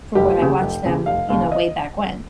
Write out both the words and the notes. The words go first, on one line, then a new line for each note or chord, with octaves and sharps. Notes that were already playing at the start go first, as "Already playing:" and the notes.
from when I watched them, you know, way back when.
F1 G4
D#2 C#3
F1
D#2 C#3
F1 F5
D#2 C#3 F5
D#5